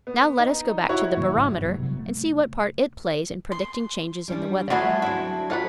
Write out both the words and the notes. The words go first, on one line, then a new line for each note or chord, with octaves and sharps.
Now let us go back to the barometer and see what part it plays in predicting changes in the weather.
B3
D#4
E4 F#4 C#5
C#3 E3 G3 A#3
G#1 G#3
F#1 G2
F#3 G3 B3
C3 F#3
A3
C6
G3 C#4 D4
E3 F3 A3 D4 F#4 G#4 B5
D2 F#3 C4 E4
F3 D#4 F#4 A4 F#5 B5